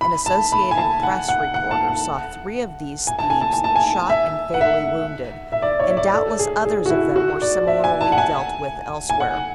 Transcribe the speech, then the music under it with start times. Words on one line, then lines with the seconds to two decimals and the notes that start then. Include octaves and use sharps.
An associated Press reporter saw three of these thieves shot and fatally wounded, and doubtless others of them were similarly dealt with elsewhere.
0.01 B5
0.26 A5
0.52 B5
0.71 G#5
0.78 A5
1.03 F#5
1.28 F#5
1.54 F#5
1.71 A5
1.88 F#5
3.07 G#5
3.19 A5
3.30 G#5
3.41 A5
3.53 G#5
3.64 A5
3.76 G#5
4.10 E5
4.54 F#5
4.61 E5
5.52 E5
5.62 D5
5.80 C#5
5.90 E5
5.97 D5
6.14 A4
6.39 G#4
6.65 G#4
6.86 F#4
6.90 E4
7.16 F#4
7.42 D5
7.67 E5
7.84 G#5
8.01 A5
8.12 F#5
8.18 G#5
9.10 G#5
9.20 F#5